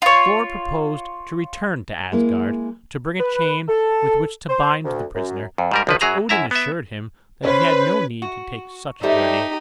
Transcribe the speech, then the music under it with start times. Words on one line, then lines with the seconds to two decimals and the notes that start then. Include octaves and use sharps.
Thor proposed to return to Asgard, to bring a chain with which to bind the prisoner; but Odin assured him that he had no need to take such a journey.
0.02 F4 C#5
2.12 G#3 A#3 E4
3.19 B4
3.68 A4
4.49 C5
4.84 D2
5.15 F#2
5.58 F2
5.71 G#2 G3 A#4
5.87 B1 F3 B4
6.01 F#2 F#3 G#4 A#5
6.29 F#2 E4 E5 A#5
6.51 B3 E5
7.45 C#4 B4 C5
8.22 F#4
9.03 G3 A3 D#4 G4 C5 E5